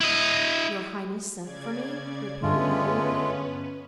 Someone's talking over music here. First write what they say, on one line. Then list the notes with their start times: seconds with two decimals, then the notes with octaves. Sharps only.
"Your highness sent for me?" repeated Raoul.
0.01 E4 D#5
1.39 C#3 D5 G#6
2.43 G2 D3 G#3 A3 B3 C#4 F4 B4